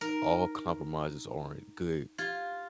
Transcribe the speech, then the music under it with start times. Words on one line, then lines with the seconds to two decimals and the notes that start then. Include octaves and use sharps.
all compromises aren't good
0.01 D#4 A#4
2.18 F4 G4 G#6